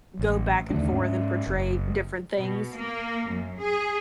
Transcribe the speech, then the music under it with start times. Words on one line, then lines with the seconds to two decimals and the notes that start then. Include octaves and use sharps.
go back and forth and portray different things.
0.19 A1
0.70 D#2 D3 A3 D4
0.91 G#2 C#4
1.47 F#1
2.37 B2
2.73 A#3
3.28 F#2
3.59 G#4